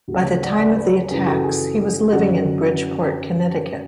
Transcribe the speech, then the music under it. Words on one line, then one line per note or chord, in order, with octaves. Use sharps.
By the time of the attacks, he was living in Bridgeport, Connecticut.
D2 C#3 F#3 F#4
G#4
D5 F#5
G#5
D5 F#5
B4 D5
F#2 C#3 E3 G#4 B4
F#4 A4
G#4
F#2 D3 F#3 F#4